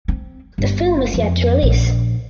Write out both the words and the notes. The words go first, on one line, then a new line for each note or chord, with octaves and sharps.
The film is yet to release.
C4
G1
F2
A#1